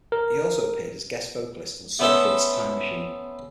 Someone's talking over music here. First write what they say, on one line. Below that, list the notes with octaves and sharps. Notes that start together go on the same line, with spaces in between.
He also appeared as guest vocalist on SubGud's Time Machine.
A#4
A3 B3 C#4 A4 C5 E5